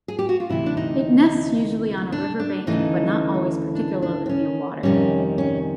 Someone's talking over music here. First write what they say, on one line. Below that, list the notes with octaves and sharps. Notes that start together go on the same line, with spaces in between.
It nests usually on a river bank, but not always particularly near water.
G#4
G4
F#4
F4
D2 C3 E3 E4
D4
D#4
D4
D4
D2 C#3 E3 A3 D#4
D4
D4
C4
C#4
F2 C3 D#3 G3 C#4
C#4